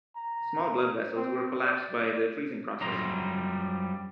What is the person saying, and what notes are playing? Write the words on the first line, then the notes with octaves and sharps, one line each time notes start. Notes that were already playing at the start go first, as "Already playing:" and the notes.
Small blood vessels were collapsed by the freezing process.
A#5
C4
D5
F#2 F3 G3 A#5 C6